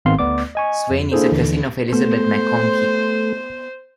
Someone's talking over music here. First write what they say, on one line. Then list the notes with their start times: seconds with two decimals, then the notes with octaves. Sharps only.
Swayne is a cousin of Elizabeth Maconchy.
0.05 G#1 D#3 B3 C4 F5 C6
0.19 D2 A3 B3 D5 D6
0.55 D#5 G#5 C#6
0.90 F2
1.12 A#3 D4 E4 G#4 A4 C5
1.32 D#2 D3 E3
1.93 A3 B3 C5